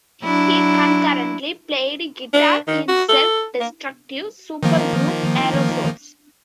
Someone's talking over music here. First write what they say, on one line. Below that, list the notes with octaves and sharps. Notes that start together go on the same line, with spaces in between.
He concurrently played guitar in self-destructive supergroup Aerosols.
F#3 D4 E4
D4
D#3
F#4
A4
A#3
D#3 F3 A#3